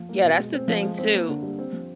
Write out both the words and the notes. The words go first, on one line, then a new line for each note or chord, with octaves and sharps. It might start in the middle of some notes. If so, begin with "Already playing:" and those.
Yeah, that's the thing, too
Already playing: F3
A#3
B2
G#3
C4
F3
G#3
C4
A#3
D3
G3
C4
F3